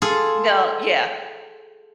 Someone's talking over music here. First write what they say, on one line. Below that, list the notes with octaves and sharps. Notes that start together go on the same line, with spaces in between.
No, yeah.
F4 G#4 A4